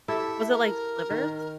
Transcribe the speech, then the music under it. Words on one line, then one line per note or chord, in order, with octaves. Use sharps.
Was it, like, slivers?
E4 G4 A4 E5
A#4
D#3